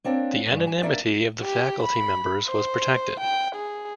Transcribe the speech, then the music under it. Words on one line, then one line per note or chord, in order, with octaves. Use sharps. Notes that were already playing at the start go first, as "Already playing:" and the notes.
The anonymity of the faculty members was protected.
A#3 C4 D4 C#5
G2 A#2 C#3
G#5
A#3 D4 D5 E5
G4
B5
C5
G5
G#4